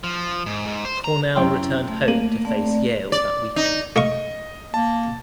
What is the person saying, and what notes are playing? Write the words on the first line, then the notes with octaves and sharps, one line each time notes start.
Cornell returned home to face Yale that weekend.
F3
G#2
G#2
C5
A#5
F#2 C#4 E4 G5 C6
A3
A#3 D#7 F#7
A3 C4 D5
D5
D#4
A3 D#5 F5 C#6
A#3 A5